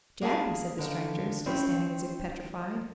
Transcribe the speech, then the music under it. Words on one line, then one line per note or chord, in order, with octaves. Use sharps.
"Jappy!" said the stranger, still standing as if petrified.
A#3 G#4 A#4 A5
D3 D#3 F3
D#3 C4 C#4 E4